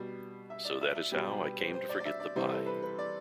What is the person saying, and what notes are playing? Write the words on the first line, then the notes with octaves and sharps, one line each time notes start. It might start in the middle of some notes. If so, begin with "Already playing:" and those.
So that is how I came to forget the pie.
Already playing: B2 G3
E5
D5
E5
E5
B2 G3 G4
G4
B4
C5
C5
D5
D5
E5
D5
C3 E3 G3 C5
A4
B4
B4
D5